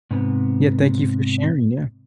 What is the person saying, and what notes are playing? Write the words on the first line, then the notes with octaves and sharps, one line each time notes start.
Yeah, thank you for sharing, yeah.
G#2 C3 B3